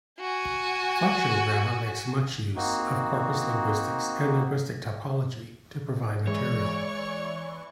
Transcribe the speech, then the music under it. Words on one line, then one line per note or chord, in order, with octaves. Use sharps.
Functional grammar makes much use of corpus linguistics and linguistic typology to provide material.
F#4 G#5
A#3 C4 D#4 F#4
E3 G#3 C#5 D5 C#6